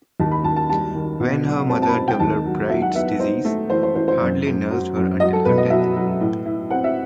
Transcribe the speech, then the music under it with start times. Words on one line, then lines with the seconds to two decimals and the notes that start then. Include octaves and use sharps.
When her mother developed Bright's Disease, Hadley nursed her until her death.
0.20 D#2 A5
0.31 B5
0.44 D#2 A5
0.56 A5
0.70 G3 A5
0.95 D#3
1.20 B2
1.44 F#3
1.69 C4 A5
1.82 A5
1.88 B5
1.94 C4 A5
2.08 G5
2.20 D#2 A5
2.45 F#3
2.69 F#3 E5
2.82 F#5
2.95 B3 E5
3.20 D#4 C5
3.45 A3
3.70 E3 C5
3.83 C5
3.95 E3 C5
4.08 C5
4.20 F#2
4.46 F#2
4.70 F#3
4.96 F#2
5.20 F#3 D#5
5.33 A4
5.45 B2 B4
5.58 D#5
5.70 F#3 E5
5.96 F#3
6.21 A2
6.45 E4
6.70 C4 F#5
6.84 E5